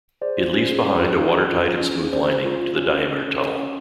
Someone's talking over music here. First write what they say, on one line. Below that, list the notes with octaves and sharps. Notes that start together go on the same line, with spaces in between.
It leaves behind a watertight and smooth lining to the diameter tunnel.
G#4 C5 D5
F4
C#4
G#4
C#4
F4
G#4
C#4
F4
F4
C#4
G#4
C#4 C5 D5
C#4
F4
F4
C#4
C#4
C#4
A4
A4 C#5 D#5
C#4